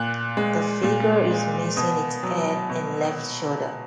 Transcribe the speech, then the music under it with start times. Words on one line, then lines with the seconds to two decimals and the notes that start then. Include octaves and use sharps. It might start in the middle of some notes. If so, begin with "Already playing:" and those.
The figure is missing its head and left shoulder.
Already playing: A#2 F#6
0.37 G#3
0.83 A#2
1.30 G#3
1.77 B2 D#6
2.23 F#3
2.69 B2